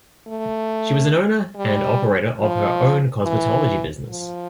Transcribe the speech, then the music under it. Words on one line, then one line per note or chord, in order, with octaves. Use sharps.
She was an owner and operator of her own cosmetology business.
A3
G3
F3
E3
F3